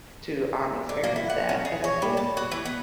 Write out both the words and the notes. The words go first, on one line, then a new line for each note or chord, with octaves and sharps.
to, um, experience that, and I think
D3
A#3
E4
F#5
C#4
G#4
C#5
G3
A5
F#4
E3
B3